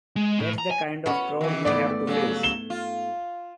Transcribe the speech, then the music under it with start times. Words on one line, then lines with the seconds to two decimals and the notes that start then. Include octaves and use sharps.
That's the kind of crowd we have to face.
0.16 G#3
0.39 A2
0.58 A#5
0.71 G#5
1.06 B3 C#4 F#4
1.41 D#3 E3
1.65 G#2 A3 B3 D5
2.07 C#3 F#3 G3
2.43 E7 G7
2.70 F4